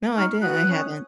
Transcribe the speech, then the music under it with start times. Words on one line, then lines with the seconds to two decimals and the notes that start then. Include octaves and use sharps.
No, I didn't I haven't.
0.15 D#4 C#6 F6
0.42 F#4 B4 D#6 F#6
0.68 C#4